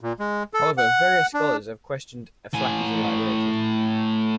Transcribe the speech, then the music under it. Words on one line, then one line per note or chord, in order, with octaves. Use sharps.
However, various scholars have questioned Aflaki's reliability.
A#2
G#3
A4
F#5
D4
A2 G#5